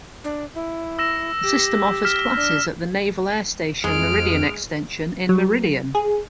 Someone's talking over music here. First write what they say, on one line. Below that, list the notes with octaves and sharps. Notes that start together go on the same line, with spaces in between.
The system offers classes at the Naval Air Station Meridian Extension in Meridian.
D4
E4
E6 A#6 E7
G4
F6 B6 E7
D4
F2 G#3 F6 D7
F#3
G#4